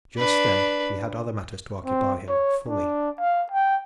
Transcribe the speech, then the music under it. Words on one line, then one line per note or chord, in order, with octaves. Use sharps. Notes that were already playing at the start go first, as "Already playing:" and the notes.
Just then he had other matters to occupy him--fully.
D4 B4
C4
C#5
D4
F5
G5